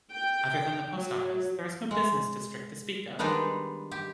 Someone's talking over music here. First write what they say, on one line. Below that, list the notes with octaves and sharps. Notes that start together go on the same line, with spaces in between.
Other than the post office, there is no business district to speak of.
G5
F#3
G#3
D#3 G3 G#3 B3 D4 D#4
G4